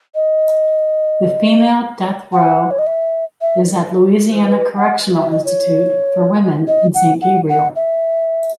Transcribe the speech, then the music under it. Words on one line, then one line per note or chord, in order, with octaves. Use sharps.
The female death row is at Louisiana Correctional Institute for Women in Saint Gabriel.
D#5
F#5
C#5
D#5
E5
E5
B4
F#5
E5
D#5
C#5
D#5
F#5
F#5
F#5
E5